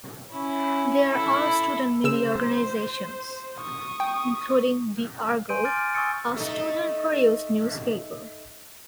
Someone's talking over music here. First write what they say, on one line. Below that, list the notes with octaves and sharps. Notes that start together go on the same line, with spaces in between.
There are student media organizations, including the "Argo", a student-produced newspaper.
C#4 E4
E4 A4
C#3 C5 E6 E7
C#6 D#6
G5
G#5 C6 G6 D7 D#7
C6 D6 F6 A6 D7
F6
G#5 C#6 D#6 E6 A6 C#7
A3 D#4